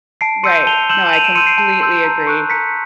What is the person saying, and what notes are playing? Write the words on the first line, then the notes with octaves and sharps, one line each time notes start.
Right, no, I completely agree.
A5 C7 D7
C6 E6 G6 C#7 D#7
A5 F7 G7
C6 E6 G6 E7 F#7
A5 D#7 F7
D7 E7
C6 E6 G6 C#7 D#7
C7 D7
A5
C6 E6 G6
A#5
C#6 F#6
A#5 B6 C#7